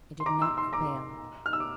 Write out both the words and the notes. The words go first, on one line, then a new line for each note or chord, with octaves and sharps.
I did not quail.
C6
A#5 D6
C6 E6
C6 E6
A#5 D6
F6
E6
D6